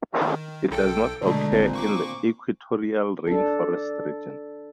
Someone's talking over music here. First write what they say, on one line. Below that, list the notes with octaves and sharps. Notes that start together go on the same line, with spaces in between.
It does not occur in the equatorial rainforest region.
D#3
B1 A4 G5
B2 D3 D#3 G#3 A3
A1 A#2 C4
A#3 C#6 D6
D4 A4